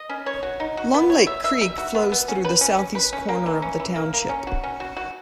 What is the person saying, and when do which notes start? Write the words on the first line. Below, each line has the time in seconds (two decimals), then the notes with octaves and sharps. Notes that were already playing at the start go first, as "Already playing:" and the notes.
Long Lake Creek flows through the southeast corner of the township.
Already playing: D#5
0.09 C#4
0.26 C#5
0.43 F#4
0.60 D#4
0.77 F#4
0.94 B3
1.10 C#5
1.27 E5
1.44 E5
1.61 E5
1.78 F#4
1.95 B3
2.12 B3
2.28 C#4
2.45 B4
2.61 C#4
2.79 C#4
2.95 B4
3.13 C#4
3.29 A#3
3.46 E3
3.62 C#4
3.80 E3
3.96 A#3
4.13 A#3
4.29 C#4
4.47 F#4
4.63 C#4
4.80 F#4
4.97 F#4